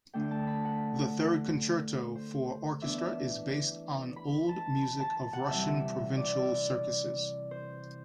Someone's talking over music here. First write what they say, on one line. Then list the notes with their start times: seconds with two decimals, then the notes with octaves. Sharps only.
The third Concerto for Orchestra is based on old music of Russian provincial circuses.
0.14 D3 A3 D4 G5
0.31 A5
0.47 B5
0.65 F#5
2.16 C5
2.82 E3 B3 D4 E5
4.16 B5
4.49 A5
4.83 B5
5.00 A5
5.17 A5
5.33 F#5
5.50 C3 E3 G3 E5
6.17 D5
7.51 C5